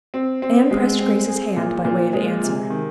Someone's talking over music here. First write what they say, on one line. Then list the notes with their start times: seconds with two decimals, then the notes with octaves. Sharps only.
Anne pressed Grace's hand by way of answer.
0.14 C4
0.42 C4
0.71 G#3
0.99 C4
1.28 G#4
1.57 A#2
1.85 A#2
2.13 G#3
2.43 C3
2.70 D#3